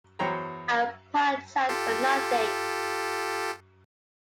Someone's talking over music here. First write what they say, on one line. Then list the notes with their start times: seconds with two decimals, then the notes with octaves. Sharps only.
I apologize for nothing.
0.19 E2 F#3 C5 C#5 G5 A#5
1.69 F4 G4 A4